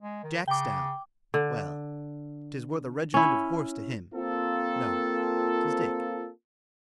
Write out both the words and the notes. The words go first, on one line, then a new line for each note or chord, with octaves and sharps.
Jack's down! well,--'tis worth a regiment of horse to him.--No--'tis Dick.
G#3
D#3
C#3 G5 D6
D3
C#4 E4
A#3 C4 F4 A4